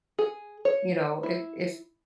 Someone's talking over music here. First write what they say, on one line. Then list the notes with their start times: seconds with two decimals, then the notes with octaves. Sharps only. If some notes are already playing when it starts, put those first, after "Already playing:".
you know, if if
0.19 G#4
0.65 C#5
1.23 E4